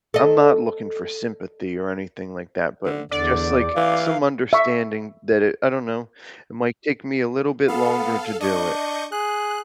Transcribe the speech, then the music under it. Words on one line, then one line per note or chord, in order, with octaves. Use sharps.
I'm not looking for sympathy or anything like that, but just, like, some understanding that it I don't know, it might take me a little bit longer to do it.
A4 D#5
D3
E2 D3 D5
E3 F5
E5 C#6
B3 A4 F5
D4 D#5 C#6 G6
G#4 F#6